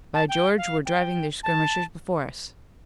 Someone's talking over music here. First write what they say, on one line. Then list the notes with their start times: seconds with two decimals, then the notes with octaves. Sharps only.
By George, we're driving their skirmishers before us!
0.14 A5
0.29 G5
0.57 F5
0.86 G5
1.43 A5